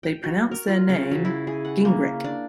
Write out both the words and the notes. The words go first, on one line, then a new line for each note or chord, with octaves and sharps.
They pronounce their name "Gingrick".
G5
F#4
A#4
F4
C#3
F#3
E4
G#4
F#5
A#3
D4